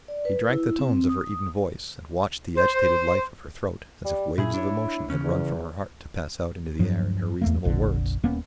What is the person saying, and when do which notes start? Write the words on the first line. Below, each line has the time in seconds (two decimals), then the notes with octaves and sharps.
He drank the tones of her even voice, and watched the agitated life of her throat, as if waves of emotion had run from her heart to pass out into the air in her reasonable words.
0.08 D5
0.25 B4
0.49 E4
0.79 C4
1.09 D#6
2.57 C5
4.05 G3
4.38 A#2 E4 G#4
4.54 D4 C#5
5.10 C#3 E3 C#4
5.24 E2
6.79 G2 F3 F#3
7.42 E2 A3 A#3
7.65 F1 A#1 D3
8.23 D#1 A#3 B3 C#4